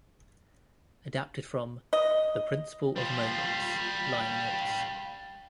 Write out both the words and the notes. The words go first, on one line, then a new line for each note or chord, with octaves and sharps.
Adapted from "The Principle of Moments" liner notes.
D#5
G3 F4